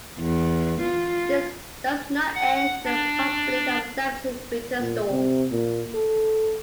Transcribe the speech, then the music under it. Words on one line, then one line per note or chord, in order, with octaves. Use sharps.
This does not end the possibility of a damaging winter storm.
E2
F4
F#5
D4
A#2
C3
A#2
A4